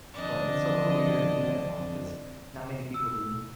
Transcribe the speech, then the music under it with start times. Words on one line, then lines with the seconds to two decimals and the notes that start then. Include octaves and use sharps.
But that's so cool that you're able to do that for 'em 'cause not many people do.
0.13 D3 F3 C4 D4 D#5
2.94 E6